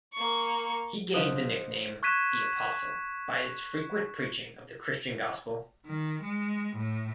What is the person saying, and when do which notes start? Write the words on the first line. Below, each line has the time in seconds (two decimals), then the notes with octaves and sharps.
He gained the nickname "The Apostle" by his frequent preaching of the Christian gospel.
0.13 A#3 C#6
1.14 D3 F3 F#3 C5 D#5 F5 D#6
2.03 C#6 F#6 G#6 B6 D#7 E7
5.86 D#3
6.23 G#3
6.76 A2